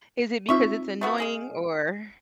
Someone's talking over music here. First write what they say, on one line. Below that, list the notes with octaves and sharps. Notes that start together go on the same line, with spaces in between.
Is it because it's annoying or
C3 C4 D#4 F4 E5 C#6
A3 B3 F#4
G#3 G#4 F5